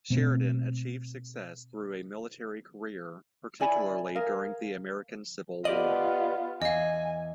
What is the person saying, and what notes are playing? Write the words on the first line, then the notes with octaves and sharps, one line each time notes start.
Sheridan achieved success through a military career, particularly during the American Civil War.
B2 A3 C4
E4 D5 G#5 B5
G#4 A#4 F5
B3 F4 G4 D5 D#5 F#7
E2 D#5 F5 G#5